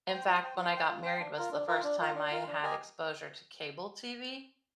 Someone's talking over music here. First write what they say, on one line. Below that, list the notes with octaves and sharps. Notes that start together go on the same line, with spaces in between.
In fact, when I got married was the first time I had exposure to cable TV
C5 G5
F4
C5 G5
F4
C5 G5
F4
C5 G5
D4
F4 A#4
D4
F4 A#4
D4
F4 A#4
D4
F4 A#4
D4
G4 A#4 D#5 G#5